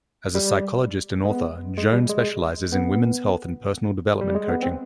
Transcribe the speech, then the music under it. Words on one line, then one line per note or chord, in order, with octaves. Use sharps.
As a psychologist and author, Joan specializes in women's health and personal development coaching.
G3
G#3
B3
G#3
G3
G#3
B3
G3
G#3
B3
C4